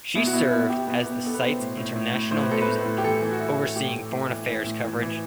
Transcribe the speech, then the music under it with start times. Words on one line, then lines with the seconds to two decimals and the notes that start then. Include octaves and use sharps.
She served as the site's International News Editor, overseeing foreign affairs coverage.
0.15 B2 E4
0.27 F#4
0.33 B2 E4
0.51 B2 E4
0.69 B2 G4
0.87 B2 B4
1.05 B2 B4
1.24 B2 A4
1.34 B4
1.41 B2 C5
1.60 A2
1.78 A2
1.96 A2
2.14 A2
2.31 A2 C5
2.42 B4
2.49 A2 A4
2.62 B4
2.68 A2
2.86 A2
2.98 G4
3.04 E3 A4
3.22 E3
3.32 F#4
3.40 E3 E4
3.59 A2
3.76 A2 G4
3.94 A2
4.12 A2
4.30 E3
4.48 A2
4.67 A2
4.84 E3
5.02 E3